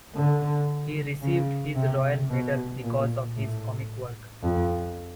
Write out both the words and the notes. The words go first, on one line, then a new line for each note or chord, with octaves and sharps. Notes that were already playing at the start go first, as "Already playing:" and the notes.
He received this royal medal because of his comic work.
D3
C#3
C3
B2
A#2
A2
F2